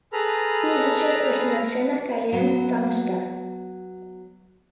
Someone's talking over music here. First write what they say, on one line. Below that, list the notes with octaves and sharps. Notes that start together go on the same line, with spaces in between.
He is the chairperson of Sena Kalyan Sangstha.
G#4 A4 B4 A#5 B5 F6
F#3 B3